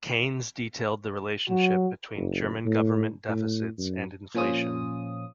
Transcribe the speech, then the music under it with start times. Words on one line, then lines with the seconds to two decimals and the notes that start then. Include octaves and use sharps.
Keynes detailed the relationship between German government deficits and inflation.
1.49 F#3 F#4
2.15 F#1
2.65 A2
3.29 A2
3.78 F#2
4.35 A#2 F3 C#4 F4 D#6